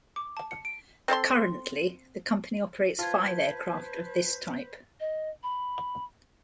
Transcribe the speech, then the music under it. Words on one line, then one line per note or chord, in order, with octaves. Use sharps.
Currently, the company operates five aircraft of this type.
D6
A5
C#7
D7
C4 A4 E5 C6
F4 B4 C5 A5 G#6
D#5
B5